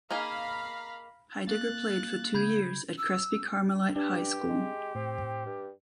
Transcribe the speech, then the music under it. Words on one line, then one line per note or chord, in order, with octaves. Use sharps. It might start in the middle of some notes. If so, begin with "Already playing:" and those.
Heidegger played for two years at Crespi Carmelite High School.
A#3 D#4 G#4 F5 A#5 B5
A#3 F#6 A6
C#3 B5 G6 G#6
E6
G2 D4 G4
G#3
A2 C4
G2